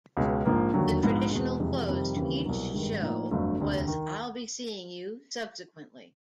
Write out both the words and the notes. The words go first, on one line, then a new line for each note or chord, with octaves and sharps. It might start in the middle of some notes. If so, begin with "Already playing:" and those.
The traditional close to each show was "I'll be seeing you subsequently.".
C#2 B2 G#3 C#4
A#1 G#2 F3 A#3
E1 D#2 D3 F#3
A#1 G#2 F3 G#3 B3
E2 B2 G#3
F2 C3 E3 G#3
F2 C3 D#3 G3 C4
D#2 C#3 E3 G3 C4
C2 B2 F#3
G#1 G2 D#3 G#3
A2 F3 A#3 D#4
G1 F2 D3 F#3 A3
E1 D2 C3
D#3